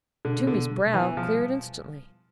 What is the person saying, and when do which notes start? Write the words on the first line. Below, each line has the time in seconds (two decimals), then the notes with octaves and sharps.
Toomey's brow cleared instantly.
0.25 B2 D3
0.40 B3
0.47 D3
0.55 B2
0.71 G3
0.86 B2
0.94 E3
1.01 B3
1.17 B2 F3
1.32 G3